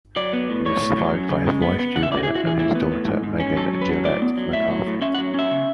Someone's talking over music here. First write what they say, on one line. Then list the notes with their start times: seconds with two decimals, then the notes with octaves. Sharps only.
He was survived by his wife Julia and his daughter Megan Gillette McCarthy.
0.16 F#3 D5
0.33 B3
0.50 A2
0.66 A2 C#5
0.81 A2
0.97 F#3
1.14 F#2
1.30 C#3
1.46 G#3
1.62 B3
1.79 B3
1.95 C#3 F#5
2.03 E5
2.11 E4 D5
2.17 F#4
2.23 G#4
2.27 E4
2.35 F#4
2.44 E3 G#4
2.59 A2 E4
2.75 B3
2.92 A2
3.07 G#2
3.24 G#2
3.40 C#4
3.56 F#3 A4
3.73 C#4
3.81 B4
3.89 F#3
4.05 A2 D5
4.22 B3
4.37 F#3
4.53 A2 E5
4.70 F#3
4.87 A2
5.02 C#4 E5
5.15 F#5
5.18 F#3
5.34 C#4 E5
5.51 C#3